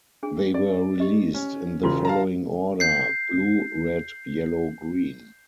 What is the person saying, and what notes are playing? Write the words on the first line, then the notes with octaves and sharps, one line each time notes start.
They were released in the following order: Blue, Red, Yellow, Green.
D4 G#4
D5
G4 D#5
C#4
E1 C#3 F4 C6
F5 A5 A#5
G6 C7